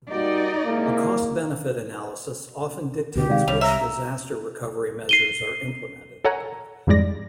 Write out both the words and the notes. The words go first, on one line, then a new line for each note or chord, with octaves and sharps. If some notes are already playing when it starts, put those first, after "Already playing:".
A cost-benefit analysis often dictates which disaster recovery measures are implemented.
G3 A#3 D#4 F#4 D5
C3 G#3 A#3 E4
D2 B2 D3 G4
C3 D#3 G#3 D5 F5
C2 G3 C#5 F7
E5 A#5
C7 D#7 G7
A4 A#4 C#5 F#5 G#5 A#5
F2 G#2 G3 G#3 D5 A#6